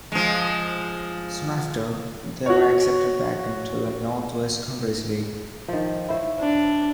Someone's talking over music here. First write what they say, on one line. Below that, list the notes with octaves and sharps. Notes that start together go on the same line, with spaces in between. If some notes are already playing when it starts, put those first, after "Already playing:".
Soon after, they were accepted back into the North West Counties League.
F3 G#3
F#4 C#5
D#3 F3
E4 C5 C#5
D4